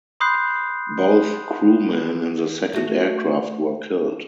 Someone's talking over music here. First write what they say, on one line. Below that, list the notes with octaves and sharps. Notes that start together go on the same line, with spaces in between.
Both crewmen in the second aircraft were killed.
B5 C6 D#6 F#6 G6 C7
A3 F#4